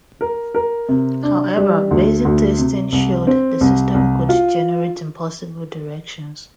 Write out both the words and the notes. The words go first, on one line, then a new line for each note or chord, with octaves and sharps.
However, basic testing showed the system could generate impossible directions.
A#4
A#4
C3
D4
G3
D2
D2
C3
C2
C4
C2
C2
F4